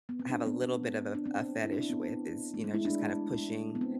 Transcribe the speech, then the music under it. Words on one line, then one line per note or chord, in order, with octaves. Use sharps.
I have a little bit of a a fetish with is, you know, just kind of pushing
B3
C4
D4
B3
B3
D4
C4
E4
D4
C4
B3
A3
G#3
E4
D4
B3
C4